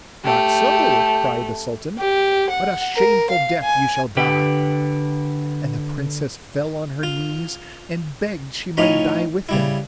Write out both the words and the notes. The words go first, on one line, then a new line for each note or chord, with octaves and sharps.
'Not so!' cried the sultan, 'but a shameful death you shall die!' And the princess fell on her knees, and begged she might die with him.
A3 G4
G4
F#5
A#4
F5
G#5
D3 G4 B4 G5
F4
A2 F3 C#4 D#4 B5
C#3 G3 E4